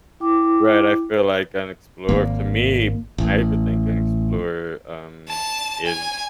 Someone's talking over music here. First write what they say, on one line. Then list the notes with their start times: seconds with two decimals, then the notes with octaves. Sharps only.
Right. I feel like an explorer, to me, I have to think, an explorer, um, is,
0.20 E4 G5 D6
1.18 B4
2.09 G#1 A#3
3.18 A1
5.29 A5
5.87 G#5